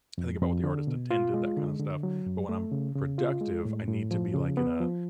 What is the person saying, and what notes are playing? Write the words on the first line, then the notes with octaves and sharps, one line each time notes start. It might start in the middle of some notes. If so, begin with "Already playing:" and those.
I think about what the artist intended, that kinda stuff, but when I'm productive, I need to be, like, in a
F2
F2
D3
B2
F4
G#3
D3
D3
F#3
F#2
A3
C#3
C#3
F4
G#3
A2
A2
F3
C#3
B3
F3